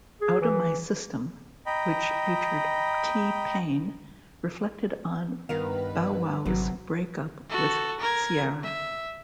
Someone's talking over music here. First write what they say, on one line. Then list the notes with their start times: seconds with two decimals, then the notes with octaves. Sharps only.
"Outta My System", which featured T-Pain, reflected on Bow Wow's break-up with Ciara.
0.21 G#4
0.41 E3
1.66 D#5 G5 A#5 B5
5.49 G2 D#3 B3 A#4 B4 F5
6.45 G#1 C3 F#3
7.50 F#4 A4
8.00 A#4 G#6
8.63 E5